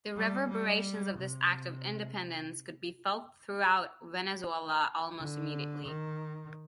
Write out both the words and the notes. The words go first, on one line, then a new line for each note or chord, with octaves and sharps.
The reverberations of this act of independence could be felt throughout Venezuela almost immediately.
G3
G3
C3
D3
D#3